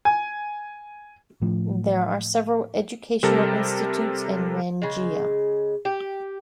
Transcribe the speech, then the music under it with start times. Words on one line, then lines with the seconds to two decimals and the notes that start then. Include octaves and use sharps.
There are several educational institutes in Rangiya.
0.05 G#5
1.42 A2 F3
3.23 C3 G3 A4 A#4
4.82 C#3 G#3
5.85 G4